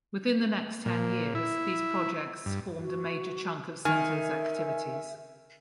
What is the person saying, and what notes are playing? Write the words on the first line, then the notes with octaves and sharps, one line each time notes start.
Within the next ten years, these projects formed a major chunk of Centre's activities.
A#2
E4
G2
F#4
D#3 E5 G#5 F6